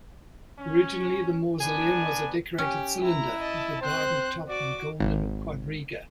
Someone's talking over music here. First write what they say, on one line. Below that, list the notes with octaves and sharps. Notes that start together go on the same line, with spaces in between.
Originally the mausoleum was a decorated cylinder, with a garden top and golden quadriga.
C#4
D3 B3 D4 G#5
C#4 G4
E4 A#5
D#5 A5
C4 C5 F#6
F#4 D5 D6
G#1